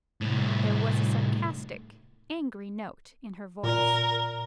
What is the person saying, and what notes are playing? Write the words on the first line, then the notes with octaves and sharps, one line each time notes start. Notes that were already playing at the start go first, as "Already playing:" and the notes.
There was a sarcastic, angry note in her voice.
C2 A2
A#2 A#4